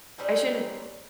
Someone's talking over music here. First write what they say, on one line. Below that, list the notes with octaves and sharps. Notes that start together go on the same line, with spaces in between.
I shouldn't
G3 C4 C#4 D#4